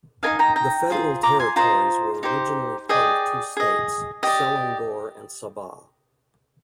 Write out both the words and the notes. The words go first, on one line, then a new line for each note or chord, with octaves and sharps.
The federal territories were originally part of two states - Selangor and Sabah.
D#4 A#4 D#5 F5 G#5
G5 A#5
G5 A#5
F4 G#4 C5
A#5 D6
G#5 C6
F4 C5 D#5 G5 A#5
D#4 G4 C5
G#4 D5 D#5 G5
G#4 D#5
G4 D5 D#5